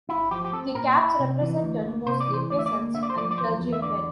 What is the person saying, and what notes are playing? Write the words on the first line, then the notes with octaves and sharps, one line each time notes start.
The Caps represented mostly peasants and clergymen.
E4
F3 G4
G4
C4 A4
A#2 A#4
E4
C3
E3
D2
A#3
C3 C5
D5
E3
C5
D2 D5
E5
D5
A#3
D3 E5
D5
C5
F3 D5
D5
E2 C5
E2
E5
D3 D5